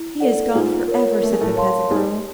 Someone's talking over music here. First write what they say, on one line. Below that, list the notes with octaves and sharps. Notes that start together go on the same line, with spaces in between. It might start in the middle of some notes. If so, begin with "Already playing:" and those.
"He is gone forever," said the peasant girl.
Already playing: E4
A4 D5 F#5
G#2 G#3 F4
A#4 C#5
A3 A#4
G#3
A2 A3
C#5 F5 A5 C6
G#2 G#3 G4